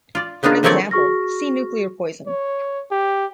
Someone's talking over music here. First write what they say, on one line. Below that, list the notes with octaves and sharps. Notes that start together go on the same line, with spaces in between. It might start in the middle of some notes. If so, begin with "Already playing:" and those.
For an example, see nuclear poison.
F4 D5
C#3 B3 D4 D#4 F4
D#3 F3 A3 C4 C#5 D5
F#4 G#4 C#6 F6 A#6
C#5
G4